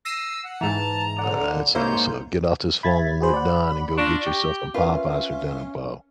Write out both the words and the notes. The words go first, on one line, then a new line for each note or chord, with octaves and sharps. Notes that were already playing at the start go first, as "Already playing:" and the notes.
Alright, so so, get off this phone when we're done and go get yourself some Popeyes for dinner, Bo.
E6 A#6 C7 D#7
F#5
G#2 E3 A5 A#5
D3 D5 F#5
G#2 A#3 E4 C5 C#5 G6
E5 B5 G#6 A6
F#4 G#4 C5 B5
D5 F#5
D4 F4 C#6 A#6
G4 G5
C#4 F4 A#4 B4 E5